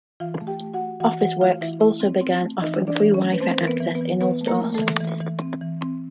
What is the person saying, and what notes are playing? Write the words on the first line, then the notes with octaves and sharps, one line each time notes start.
Officeworks also began offering free Wi-Fi access in all stores.
E3 F4 F5
A3
G4 G5
A3
F#4 F#5
A3
E3 F#4 F#5
E3 F#4 F#5
A3 F4 F5
E3 E4 E5
A3 E4 E5
C4
C4
A3
E3 D#4 D#5
E3
D4 D5
E3
C#4 C#5
A3
B4
A3 C4 C5
E3 A#4
B3 B4
E3
B3 B4
E3
E3 B3 B4
A3
A#3 A#4
A3
A3 A4
E3
E3
E3
C4
E3
C4